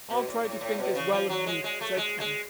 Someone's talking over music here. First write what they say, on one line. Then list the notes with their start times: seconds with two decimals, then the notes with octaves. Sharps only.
I'll try to think as well of you as I can.
0.10 B2
0.28 A2
0.44 A2
0.61 A2
0.78 B2
0.95 C#3
1.12 F3
1.29 F#3
1.46 G#3
1.64 G#3
1.81 A3
1.97 G#3
2.20 G#3